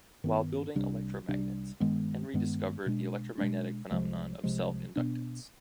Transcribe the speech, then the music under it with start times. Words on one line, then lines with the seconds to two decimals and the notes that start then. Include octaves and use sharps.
While building electromagnets, Henry discovered the electromagnetic phenomenon of self-inductance.
0.24 G2 D#3 B3
0.75 C2 C3 G3 D4
1.28 C2 C3 G3 D4
1.80 G2 D#3 G#3 B3
2.34 G2 D#3 G#3 B3
2.86 B2 G#3 D4
3.38 B2 G#3 D4
3.90 C2 C3 F3 G#3
4.43 C2 C3 F3 G#3
4.96 B2 B3 D4